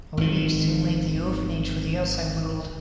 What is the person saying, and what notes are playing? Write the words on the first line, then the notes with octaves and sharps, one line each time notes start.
However, he soon left the orphanage for the outside world.
G#1 D#3